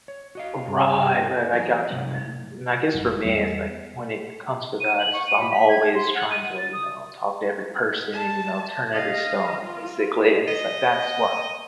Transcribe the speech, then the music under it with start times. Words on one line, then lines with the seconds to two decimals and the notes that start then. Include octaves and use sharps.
Right, right, I got you, man, and I guess for me, it's like when it comes to that, it's just, I'm always trying to, you know, talk to every person, you know, turn every stone basically, and it's like, "That's what."
0.08 C#5
0.35 F#4 D#5 F5
0.67 G2
1.27 A4
1.53 E3 F#3 F4 G#4 A#4
1.90 G2 C3 F3 F#3 A3 C#4
2.94 G1 F#2
3.24 E2 G3 B3
4.80 D#7
4.99 F#7
5.13 C#6
5.27 D#7
5.40 B5
5.52 B6
5.69 G#6
5.95 C6
6.14 F#5
6.31 D#7
6.58 A6
6.73 D#6
8.13 A5
8.93 D#5 F5
9.63 F4
10.48 D#5